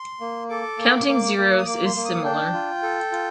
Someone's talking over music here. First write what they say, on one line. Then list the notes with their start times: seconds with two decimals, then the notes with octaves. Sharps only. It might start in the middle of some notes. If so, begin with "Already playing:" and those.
Counting zeros is similar.
Already playing: C6
0.20 A#3
0.50 A4 D6
0.78 A#3
1.08 A#3
1.38 A#3
1.58 D#6
1.66 A#3 D6
1.85 C6
1.95 A#3
2.05 D#6
2.24 D4 G5
2.53 F4
2.83 A4
3.12 F4